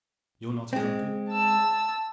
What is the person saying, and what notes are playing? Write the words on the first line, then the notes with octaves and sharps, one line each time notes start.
You're not a drunkard!
G#3 C4
A5 E6